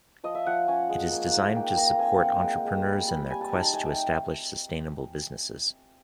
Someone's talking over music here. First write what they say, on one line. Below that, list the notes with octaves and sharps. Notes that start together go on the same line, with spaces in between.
It is designed to support entrepreneurs in their quest to establish sustainable businesses.
F3 D#5
E5
F3 F#5
C#4 G#5
G#3
A#3
D#4
A#3 G5
A#3 A#5
C4 G#5
C4 F#5
G#3 G5
G#3
G3
G3
G3 G#5
A5
D#4 A#5
A5
A3 G#5
G5